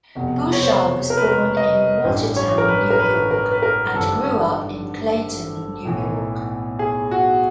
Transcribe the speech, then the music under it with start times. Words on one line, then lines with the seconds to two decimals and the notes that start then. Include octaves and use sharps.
Bouchard was born in Watertown, New York and grew up in Clayton, New York.
0.15 F1 E2 B2
0.53 C#5
0.63 C5
1.10 A#4
1.17 B4
1.24 A#4
1.57 D#5
2.04 A1 G2 E3
2.36 C#5
2.58 A#4
2.68 B4
2.90 A#4
3.00 B4
3.31 A#4
3.51 B4
3.63 A#4
3.94 G#1 G2 D3 A4
5.85 B1 A2 E3
6.79 G#4
7.11 F#4